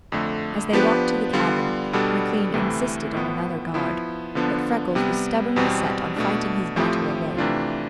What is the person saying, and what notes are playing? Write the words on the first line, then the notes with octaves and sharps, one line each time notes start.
As they walked to the cabin, McLean insisted on another guard, but Freckles was stubbornly set on fighting his battle alone.
F2 D3 A3
F3 B3 D4 G4 B4
D3 G3 B3 F4
B2 G3 B3 D4 A4
D2 C3 E3 A3 E4
A2 F3 B3
F3 B3 E4
D3 F3 B3 D4
C3 G3 B3
E2 B2 G3 C4
B2 A3 D4
A2 F3 A3 C4 G4
C3 E3 A3 D4 F4